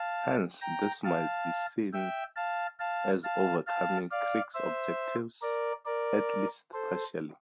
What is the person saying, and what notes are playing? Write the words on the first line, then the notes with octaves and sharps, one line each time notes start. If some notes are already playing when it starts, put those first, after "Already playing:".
Hence, this might be seen as overcoming Crick's objections, at least partially.
Already playing: F5 A5
G5 A#5
F5 A5
E5 G5
F5 A5
F5 A5
F5 A5
F5 A5
D5 F5
C5 E5
A#4 D5
A#4 D5
A4 C5